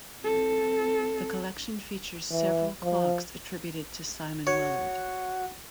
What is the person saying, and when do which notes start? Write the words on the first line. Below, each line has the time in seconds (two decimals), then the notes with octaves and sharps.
The collection features several clocks attributed to Simon Willard.
0.22 C4 A4
2.31 E3
2.83 F3
4.47 F#4 C#5